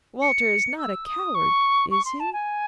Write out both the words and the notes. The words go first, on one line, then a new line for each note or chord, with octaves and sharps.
'Walter is not a coward, is he?'
C#7
E6
D#6
C#6
C#6
C6
A5
G#5